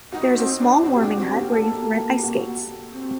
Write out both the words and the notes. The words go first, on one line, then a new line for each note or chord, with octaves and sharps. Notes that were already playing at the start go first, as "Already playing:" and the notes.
There is a small warming hut where you can rent ice skates.
D#4 F#4
C4
D4
C4 F#4
G4
D4 F#4
C4 F#4
A#3 G4
A4
G4
G4
F#4
C4